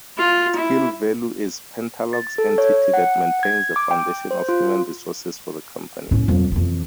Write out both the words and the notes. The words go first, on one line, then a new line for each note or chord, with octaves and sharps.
SkillValue is Pentalog's entity that maintains the foundation of human resources for the company.
F4
E4
A6
A4
C#5
F#5
G#6
D6
G5
C5
F4
A2 C#4
F2 F#3
F2 E3